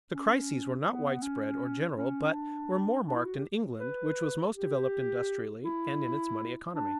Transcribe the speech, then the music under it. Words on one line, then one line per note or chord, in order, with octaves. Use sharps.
The crises were not widespread or general, but were more marked in England, which was most developed industrially and in its money economy.
C#4
B3
C#4
C#4
D4
D4
E4
F#4
G4
B4
G4
E4
D4